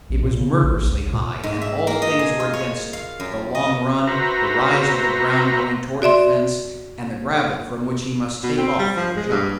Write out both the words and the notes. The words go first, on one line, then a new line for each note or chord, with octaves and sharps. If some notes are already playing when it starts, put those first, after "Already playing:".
It was murderously high, and all things were against him, the long run, the rise of the ground going toward the fence, and the gravel from which he must take off for the jump.
A#1
A#2
C#3
A#1
A1
C#2
A#2
G#2
E5
A#3
D#5
G#4
F4
C#5
F5
F#2
D#5
F#4 B4 C5 E5 A#5
F#4 D5 E5 C6
B2
C4
G3
F3
G#3
G2